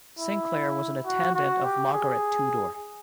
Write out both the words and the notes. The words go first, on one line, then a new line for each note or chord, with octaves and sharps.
Sinclair was an attendant of Margaret Tudor.
E4
F#4
F#4
G4
G#4